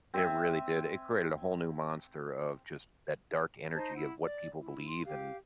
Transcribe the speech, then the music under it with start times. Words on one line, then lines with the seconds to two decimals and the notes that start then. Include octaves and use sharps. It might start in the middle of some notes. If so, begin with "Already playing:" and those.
It really did. It created a whole new monster of just that dark energy of what people believe and
0.14 C4 E5 G#5
3.73 D#4 C5 A5
3.95 E4 F#5
4.21 D5
4.58 E4
4.87 C6
5.05 G4 F5